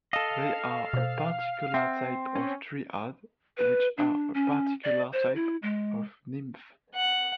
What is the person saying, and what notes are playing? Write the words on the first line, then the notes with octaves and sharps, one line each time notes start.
They are a particular type of dryad, which are a particular type of nymph.
A4 D#5 F5
B2 C5
C4 E5 F#5 F6
C#4
B4
D4
C#4
D5
C5
E4
G#3
F#5